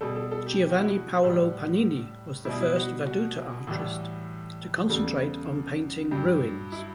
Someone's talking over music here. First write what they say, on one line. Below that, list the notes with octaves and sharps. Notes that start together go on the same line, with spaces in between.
Giovanni Paolo Pannini was the first veduta artist to concentrate on painting ruins.
B2 G3 A4
A4
A4
G4
G4
F#4
E4
F#4
A2 G3
B2 G3 E4
E4
F#4
F#4
A2 E3 G3
E2 C#3 G3 A4
G2 F#3 G4
E4